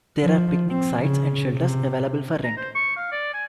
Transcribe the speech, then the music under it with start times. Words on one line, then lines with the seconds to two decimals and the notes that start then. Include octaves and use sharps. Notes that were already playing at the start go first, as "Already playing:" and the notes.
There are picnic sites and shelters available for rent.
0.23 F3
0.70 C4
1.01 C#3
1.53 C3
2.44 A#5
2.57 C5
2.75 C#6
2.96 F5
3.12 D5
3.34 G#5